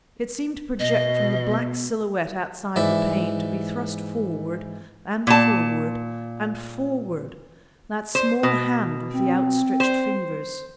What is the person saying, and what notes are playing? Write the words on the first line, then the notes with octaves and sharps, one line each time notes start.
It seemed to project from the black silhouette outside the pane, to be thrust forward--and forward--and forward... that small hand with the outstretched fingers.
B2 D#5
G#2 E3 D5 E5 B5
A#2 A5
C5
B2
C4
C5